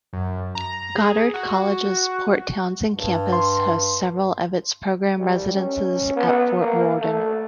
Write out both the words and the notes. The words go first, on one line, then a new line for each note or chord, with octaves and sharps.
Goddard College's Port Townsend campus hosts several of its program residencies at Fort Worden.
F#2
A#5
G#4
F#4
G2
C6
G3
C#4
B3
A#3
A3